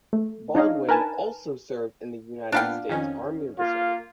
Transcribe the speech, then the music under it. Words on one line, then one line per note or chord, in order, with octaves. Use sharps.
Baldwin also served in the United States Army Reserve.
A3
D4 D#4 C#5 D#5 F5
A#4 B4 G#5 A5
A#2 B3 D4 F5 G5
F2 D#3 C#4
A#3 F4